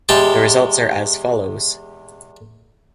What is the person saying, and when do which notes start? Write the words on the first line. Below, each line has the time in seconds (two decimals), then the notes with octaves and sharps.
The results are as follows.
0.09 E2 G#3 G4 A5